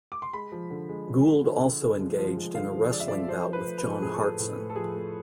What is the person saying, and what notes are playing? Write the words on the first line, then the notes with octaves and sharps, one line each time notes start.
Gould also engaged in a wrestling bout with John Hartson.
D6
C6
G#3 B5
F3
D3
G#3
F3
D3
D3
D3
G#3
F3
F3
G#3
D3 F5
F3
G#3 D5
E5
F3 D5
F3 C5
F3
B4
A3
B4
F3
A4
A2 G#4
A4
A3
A2
A3
A4
F3 G#4
A3